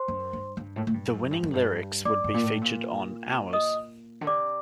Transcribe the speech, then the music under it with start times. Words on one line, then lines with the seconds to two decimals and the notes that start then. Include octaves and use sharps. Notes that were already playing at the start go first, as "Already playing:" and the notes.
The winning lyrics would be featured on "Hours".
Already playing: C5 C6
0.08 F#2
0.33 G2
0.57 G2
0.76 A2
0.87 A2
0.94 G2
1.13 F#2
1.31 G2
1.43 F#2
1.54 G2
2.05 G2 D5 D6
2.24 G2
2.34 A#2
2.43 A2
2.61 A#2
3.53 D#5 D#6
4.21 D3
4.27 C3 D5 D6